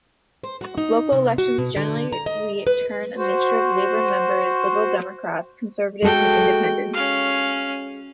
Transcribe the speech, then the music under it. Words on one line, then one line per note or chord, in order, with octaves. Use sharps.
Local elections generally return a mixture of Labour members, Liberal Democrats, Conservatives and Independents.
C5
F#4
D#4
C3
F#4
B2
D3
A#5
D#5
B4
F#4 C5
G#3 F#4 A4 G5
C#4 F5